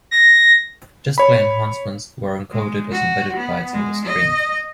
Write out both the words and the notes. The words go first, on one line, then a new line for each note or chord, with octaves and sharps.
Display enhancements were encoded as embedded bytes in the stream.
A#6
C#5 B5
G#3
F#4
B3
G#3
D#5